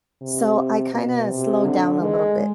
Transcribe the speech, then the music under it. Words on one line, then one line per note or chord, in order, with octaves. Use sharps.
so I kinda slowed down a little bit.
C3
B2
C3
D3
G#3